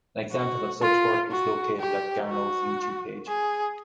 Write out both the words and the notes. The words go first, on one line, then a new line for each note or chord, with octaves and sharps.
An example of such work is located at Garneau's YouTube page.
F#4
F4
F#4
G4
F#4
G#4